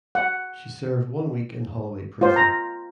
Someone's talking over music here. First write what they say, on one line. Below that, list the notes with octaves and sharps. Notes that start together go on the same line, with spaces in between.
She served one week in Holloway Prison.
F#5
F4 C5
A#5